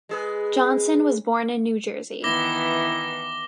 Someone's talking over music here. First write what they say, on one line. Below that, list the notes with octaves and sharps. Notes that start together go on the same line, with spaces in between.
Johnson was born in New Jersey.
G#3 G#4 B4
D#3 E3 B3 E4 D6 A#6 G7